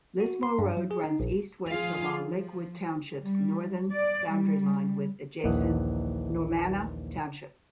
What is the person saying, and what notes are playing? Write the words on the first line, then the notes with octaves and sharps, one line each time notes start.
Lismore Road runs east-west along Lakewood Township's northern boundary line with adjacent Normanna Township.
F#4
C6
G2
F#3
G#4
D#4
A#1
F3 F4 G#4 F5
F3
G3
D5
G3
A#1 D#2 E3 D#5 F#5